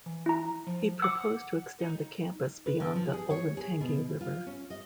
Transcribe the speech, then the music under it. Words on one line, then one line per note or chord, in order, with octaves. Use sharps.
He proposed to extend the campus beyond the Olentangy River.
E3
E4 A#5
F3
F#5 D6 E6
D#4
B4
D3
F3
G#4
C#5
G#4
B2
F4
C#4
D#5